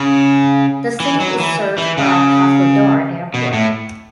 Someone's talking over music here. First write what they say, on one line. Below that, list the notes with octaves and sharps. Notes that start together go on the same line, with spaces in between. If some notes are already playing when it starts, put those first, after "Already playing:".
The city is served by Pavlodar Airport.
Already playing: C#3
E3
F#3
E3
E3
C#3
B2
A2